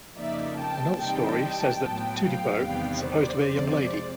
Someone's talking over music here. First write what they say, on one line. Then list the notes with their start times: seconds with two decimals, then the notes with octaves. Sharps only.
Another story says that Tudipo is supposed to be a young lady.
0.17 F2 C#3 F3 A#3 D#4 D5 E5
0.58 G5 A5
0.99 C3 E3 G3 C4 D#4 G5 A5
1.81 A2 F#3 B3
2.21 F5 G5
2.63 E2 C3 D#3 G3 B3
3.03 C5 D5
3.44 F2 C3 F3 G#3